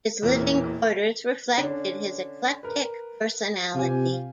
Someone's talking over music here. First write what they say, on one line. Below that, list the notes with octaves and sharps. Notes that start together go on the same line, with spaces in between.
His living quarters reflected his eclectic personality.
E1 E2 A#2 E3 A#4 F6
D3 C#4 D4
A#4 B4
C3 F4 G4 G#5